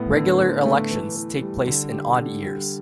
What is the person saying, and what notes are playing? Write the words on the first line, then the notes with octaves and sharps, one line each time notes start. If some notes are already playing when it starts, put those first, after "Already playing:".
Regular elections take place in odd years.
Already playing: A2 B3
D3
D3
A3
E3
E3
G3
D3
G4
D3
G3